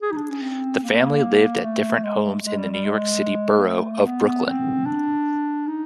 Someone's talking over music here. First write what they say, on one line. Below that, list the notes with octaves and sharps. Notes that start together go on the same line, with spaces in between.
The family lived at different homes in the New York City borough of Brooklyn.
G#4
D#4
D4
C#4
C4
A#3
A3
G#3
G#3
G#3
G3
G3
G#3
A#3
A3
B3
C4
D4
D#4